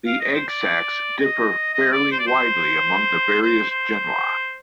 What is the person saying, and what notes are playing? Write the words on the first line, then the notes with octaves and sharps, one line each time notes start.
The egg sacs differ fairly widely among the various genera.
F5
D#5
C5
D5
D#5
D#5
D5
C5
D5
C5
C5
C5